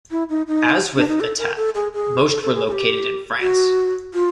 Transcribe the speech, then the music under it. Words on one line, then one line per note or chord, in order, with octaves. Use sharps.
As with Etap, most were located in France.
E4
D#4
D#4
D4
D#4
A4
A#4
A4
G#4
G#4
A4
A4
G#4
G#4
G4
F#4
F4